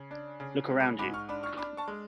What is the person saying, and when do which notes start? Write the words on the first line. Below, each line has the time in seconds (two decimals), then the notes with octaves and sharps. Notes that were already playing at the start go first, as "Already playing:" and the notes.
Look round you.
Already playing: C#3
0.11 D4
0.40 C#3
0.70 G#3
0.80 B5 D6
0.99 G#2 B5 D6
1.14 C#6 F6
1.29 D4 B5 D6
1.43 C#6 F6
1.58 D4 B5 D6
1.77 A5 C#6
1.88 G#3